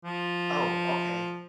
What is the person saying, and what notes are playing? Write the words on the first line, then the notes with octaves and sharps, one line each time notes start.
Oh, okay.
F3